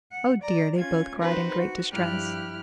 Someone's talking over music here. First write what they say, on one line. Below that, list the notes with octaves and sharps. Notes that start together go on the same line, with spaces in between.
"Oh, dear!" they both cried in great distress.
F#5
D5 A#5
C#4 F4 G#6
C4 D#4 F#4 B4 C5
F#4
G2 F3 E4 G4 F6 F#6